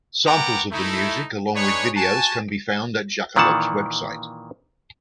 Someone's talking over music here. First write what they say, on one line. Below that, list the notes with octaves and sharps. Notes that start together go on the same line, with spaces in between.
Samples of the music, along with videos, can be found at Jakalope's web site.
B3 A#4 F#5 G5 A#5 D6
A3 D#4 E4
D4 D#4 G#4 B4 C#5
F#4 G#5 A5
A#2 D#3 E3 F#5 A5